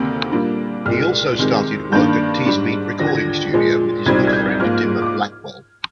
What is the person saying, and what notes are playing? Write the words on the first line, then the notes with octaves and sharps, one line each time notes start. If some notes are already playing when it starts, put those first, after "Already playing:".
He also started work at Teesbeat recording studio with his good friend Dimmer Blackwell.
Already playing: D2 C3 D#3 A#3
A#2 G3 A#3 D4
C2 A#2 G#3 F6
C3 D#3 G#3
G2 D#3 A#3 D4 G6
G#2 G3 D4
D#2 D3 F3 A#6
G#6
A#6
A#2 F3 G#3
C2 A#2 G3 C4 D#4 G#6
G#6
G6
G#2 F3 A#3 F6
D6